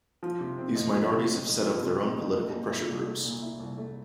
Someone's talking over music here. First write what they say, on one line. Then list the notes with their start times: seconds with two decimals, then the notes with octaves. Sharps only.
These minorities have set up their own political pressure groups.
0.23 F3
0.40 C3
0.58 C4
0.75 F2
0.94 F3
1.11 C3
1.29 C4
1.46 F2
1.64 F3
1.82 C3
2.00 C4
2.18 F2
2.36 A3
2.53 A#2
2.71 E4
2.89 C2
3.07 A3
3.24 A#2
3.42 E4
3.60 C2
3.78 A3